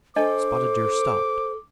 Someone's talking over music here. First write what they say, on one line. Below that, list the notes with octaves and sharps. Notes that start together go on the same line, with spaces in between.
Spotted Deer stopped.
D4 A4 C5 D#5 A5 D6